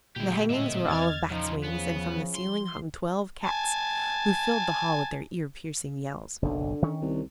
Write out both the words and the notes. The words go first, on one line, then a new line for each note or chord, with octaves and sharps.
The hangings were all of bats' wings, and from the ceiling hung twelve cats, who filled the hall with their ear piercing yells.
A#2 D3 G#3 E4 G4
A2 C4 D#5 E5
E2 F6 G#6 A6
A#2 C#3 F3 D#4
C#3 B3
F3 C6
G#5 A5
F#1 B1 D3
D#3 C#4
C2